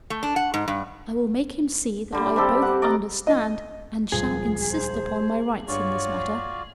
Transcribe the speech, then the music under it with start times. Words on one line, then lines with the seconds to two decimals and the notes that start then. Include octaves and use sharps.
I will make him see that I both understand and shall insist upon my rights in this matter.
0.10 A3
0.23 D4
0.36 F#5
0.54 G#2
0.68 G2
2.12 D3 G3
2.36 C3 G3 G4 A4
2.62 F#5
2.82 D5 D#5 A#5
3.27 D#5
4.12 D#1 C#2 F3 G#4
4.69 C5
5.68 G2 F4 F#4 C#5 D5